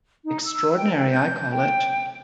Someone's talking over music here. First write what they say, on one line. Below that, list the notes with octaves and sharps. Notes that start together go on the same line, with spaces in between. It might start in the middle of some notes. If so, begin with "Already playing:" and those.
Extraordinary, I call it.
D#4
E6
G5
G6
G5